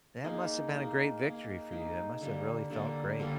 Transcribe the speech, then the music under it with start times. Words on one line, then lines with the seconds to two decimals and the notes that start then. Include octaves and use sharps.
That must've been a great victory for you. That must have really felt great.
0.24 A#3 D#4 G#4
0.73 A#3 D#4 G#4
1.22 A#3 D#4 G#4
1.71 A#3 D#4 G#4
2.21 D3 G3 A#3
2.70 D3 G3 A#3
3.19 D3 G3 A#3